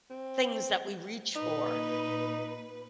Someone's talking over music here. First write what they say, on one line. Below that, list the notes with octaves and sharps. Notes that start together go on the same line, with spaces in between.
things that we reach for,
C4
A#2 D#4 B4